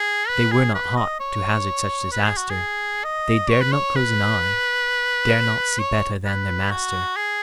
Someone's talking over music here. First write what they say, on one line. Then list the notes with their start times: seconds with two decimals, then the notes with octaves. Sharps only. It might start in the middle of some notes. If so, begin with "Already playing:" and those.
They were not hot To hazard such disaster; They dared not close an eye--dared not See better than their master.
Already playing: G#4
0.28 B4
0.52 G#4
0.74 B4
0.96 D#5
1.20 C#5
2.12 B4
2.24 G#4
2.37 F#4
2.50 G#4
3.04 D#5
3.50 C#5
3.61 B4
3.72 C#5
3.95 B4
5.79 C#5
6.25 B4
6.71 F#4
7.16 G#4